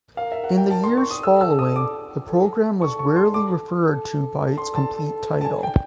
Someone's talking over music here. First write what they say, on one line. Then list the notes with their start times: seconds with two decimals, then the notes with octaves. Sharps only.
In the years following, the program was rarely referred to by its complete title.
0.17 A#4 F5
0.32 E5
0.44 F#5
0.57 G5
0.71 A5
0.84 C6
0.97 C#6
1.11 D#6
1.23 A4 E6
1.41 E6
1.59 D#6
1.76 D6
2.29 A4
2.81 A4 C#6
2.99 C#6
3.16 C6
3.34 D6
3.87 A4
4.58 C6
4.75 A5
5.41 A5
5.45 G#5
5.63 G5